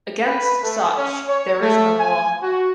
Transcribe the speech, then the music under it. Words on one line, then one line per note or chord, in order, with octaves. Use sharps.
Against such there is no law.
B4
A3
C#4
C#5
A3
G#5
F#4